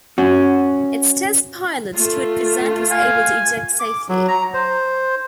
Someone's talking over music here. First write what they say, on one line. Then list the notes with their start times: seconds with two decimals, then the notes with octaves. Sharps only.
Its test pilot, Stuart Present was able to eject safely.
0.18 C#4 F#4
1.93 A3 F4
2.91 F5 G#5
3.80 D6
4.09 F#3
4.28 A#5
4.54 C5